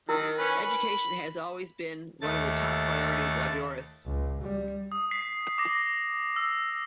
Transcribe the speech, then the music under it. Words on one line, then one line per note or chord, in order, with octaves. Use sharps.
Education have always been one of the top priorities of Oeiras.
D#3 E4 A#4
C#4 B4
B5
D#2 A3 A6
C#2
G3
D#6
B6 C7
D6 A#6
E6